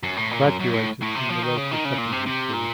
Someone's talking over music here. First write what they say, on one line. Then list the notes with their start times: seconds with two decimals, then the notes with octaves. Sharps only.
Graduated from the local secondary school.
0.03 F#2
0.17 A2
0.31 A#2
0.46 F#2
0.59 F#2
0.74 A2
1.02 A2
1.15 C3
1.29 F3
1.43 D#3
1.57 C#3
1.71 D#3
1.85 C#3
1.98 A#2
2.12 C3
2.26 C3
2.53 A#2